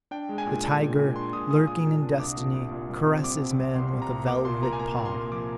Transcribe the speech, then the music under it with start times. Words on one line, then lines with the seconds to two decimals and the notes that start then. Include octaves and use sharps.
The tiger, lurking in destiny, caresses man with a velvet paw.
0.11 D4 G5
0.29 G#3
0.38 G#5
0.46 A#2
0.63 D4
0.82 A#2
0.99 A#2
1.16 D4 C6
1.33 A#2 D#6
1.50 F4 D#6
1.67 A#2 D#6
1.85 A#2
2.03 D4
2.19 C2 D6
2.37 A#2
2.54 C2
2.71 A#2
2.89 G3
3.07 C4
3.23 G3 D6
3.41 C4
3.59 C2
3.75 C2 C6
3.93 G3
4.02 A#5
4.10 C2
4.28 A#3 D6
4.45 A#2 C6
4.62 A#3 A#5
4.73 G#5
4.79 A#3 A#5
4.97 A#2
5.05 C6
5.14 A#3
5.32 F3 D6